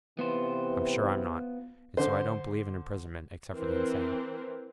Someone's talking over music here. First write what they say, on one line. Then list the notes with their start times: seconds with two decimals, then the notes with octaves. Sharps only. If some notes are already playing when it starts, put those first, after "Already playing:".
"I'm sure I'm not--and so I don't believe in imprisonment except for the insane."
0.19 C3 E3 B3 F4 C5
1.97 D3 C5
3.54 E3 C4 A#4